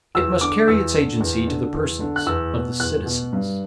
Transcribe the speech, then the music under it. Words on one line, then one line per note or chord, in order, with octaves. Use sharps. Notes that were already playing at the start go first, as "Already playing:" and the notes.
It must carry its agency to the persons of the citizens.
E2 E6
D3 D6
E2 E6
D3
E2
D3
E2
D3
F#6
E2 E6
B2
E2 F#6
B2
G2